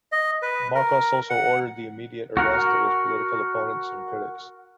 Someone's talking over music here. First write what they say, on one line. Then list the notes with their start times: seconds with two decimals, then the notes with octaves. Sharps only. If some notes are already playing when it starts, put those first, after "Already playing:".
Marcos also ordered the immediate arrest of his political opponents and critics.
0.12 D#5
0.42 B4
0.75 A#4
1.30 F#5
2.37 F#4 A#4 F#5